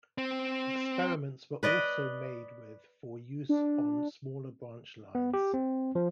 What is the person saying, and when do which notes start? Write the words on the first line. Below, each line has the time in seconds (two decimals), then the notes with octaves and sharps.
Experiments were also made with for use on smaller branch lines.
0.18 C4
1.63 B4 D5 D#5
3.49 D4
5.15 B3
5.34 G4
5.54 C4
5.95 F3